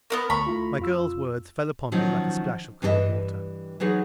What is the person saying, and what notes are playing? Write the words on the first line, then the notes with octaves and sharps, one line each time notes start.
My girl's words fell upon me like a splash of cold water.
B3 C#4 A#4
D2 A#5 B5 C#6
A3 E4 F4
F2 F4 E6
D#3 F3 F#3 C#4 D#4
G2 E3 D#4 A4 D#5 E5
E3 F#3 D#4 G#4